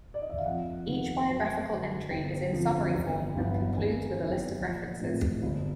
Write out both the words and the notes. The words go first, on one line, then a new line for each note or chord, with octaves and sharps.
Each biographical entry is in summary form and concludes with a list of references.
D5
D#5
E5
F5
F2 F#5
C3 D#3
F#2
D3 F#3
G1 G5
F2 D3 F3
G1
G2 E3 G3 B3
G#1 G#5
G#5
F#2 D#3 F#3 B3
G5
A#1 D#5
A2 F3 G#3 C4
G1